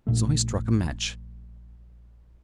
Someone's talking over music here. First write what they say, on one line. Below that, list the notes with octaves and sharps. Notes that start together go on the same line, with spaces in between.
So he struck a match.
A#1 A#2 A3